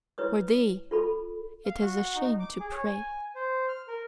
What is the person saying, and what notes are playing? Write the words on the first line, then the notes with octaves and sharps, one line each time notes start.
For THEE it is a shame to pray!
E4 B4 C#5 D#6
F4 A4 B5
F5
F#4
D#4
D6
G#4
C#5
G#5
C5
F6
A#4